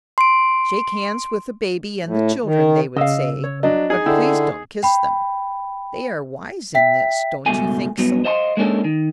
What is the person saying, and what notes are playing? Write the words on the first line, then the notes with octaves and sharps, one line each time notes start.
"Shake hands with the baby and the children," they would say, "but please don't kiss them." They are wise in this,--don't you think so?
C6 D7
A2
D#3
C#3 D#5 F5 E6
C#5
F#3 D4 D#5
D#4 G#4 G#5
D3 E4 G5 E6
G5 B5
E5 G5 B6
C#2 G2 B2 A3 G#5
G2 F#3 B3
C5 D#5 F5 A5 C6
G#3 A#3 C#4 D4 A4
D#3